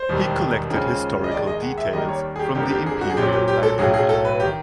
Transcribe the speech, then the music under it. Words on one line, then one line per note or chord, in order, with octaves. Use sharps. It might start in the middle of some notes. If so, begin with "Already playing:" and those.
He collected historical details from the Imperial library.
Already playing: C5
E1 D#2 D#3 G3
D#2 C#3 F3 G#3
D#5
D#2 D#3 G#3 D5
D#5
F#5
E5
D#2 D#3 G3 A#3 D#5
C#5
G#4
G4
F2 D3 G3 A#3 G4
G4
G#4
F#4
G#4
A#1 A#2 F#3 G4
G4
G4
A4
B1 A2 F#3 G#4
G#4
A4
B4
G4
D#3